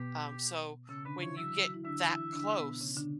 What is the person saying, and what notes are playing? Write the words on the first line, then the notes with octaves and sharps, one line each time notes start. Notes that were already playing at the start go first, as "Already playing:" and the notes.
Um, so when you get that close,
Already playing: B2 B3 G4
C#3 C#4 A4
D3 D4 B4
E3 E4 C#5
F#3 F#4 E5
F#3 F#4
E4
D3 D4 E5
E3 E4
D3 D4
B2 B3
C#3 C#4
D3 D4